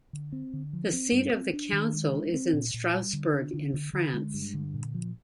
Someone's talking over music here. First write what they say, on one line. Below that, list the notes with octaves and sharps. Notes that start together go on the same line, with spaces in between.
The seat of the Council is in Strasbourg in France.
D3
C4
D3
F3
C4
G2
C4
D4
D#3
G#3
D4
C4
A#2
A#2
G3
D3
D4
D3
D3
D3
G#3
G2
D3
A#2
F3